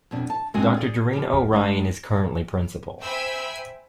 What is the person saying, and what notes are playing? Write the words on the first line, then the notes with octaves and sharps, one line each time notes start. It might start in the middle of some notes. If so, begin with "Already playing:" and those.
Doctor Doreen O. Ryan is currently Principal.
F2 B2 D4
A5
D3 G#3 C4 F#4 F#5 G#5
G#4 D5
F3 G4
G3 G#3 D4
C5 E5 G5 G#5 B5 E6